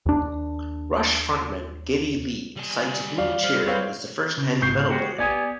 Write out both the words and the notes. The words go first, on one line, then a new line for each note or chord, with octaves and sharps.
Rush frontman Geddy Lee cites Blue Cheer as the first heavy metal band.
D#2 D4
G3 G#5
D5 F5
G3 C4 A4 F6
F#3 C4 B4 C#5 F5
C#3
C#2 G#2 B2 C#6 G6 C7
G#3 F#4 G4
B3 G4 D5 G#5 D#6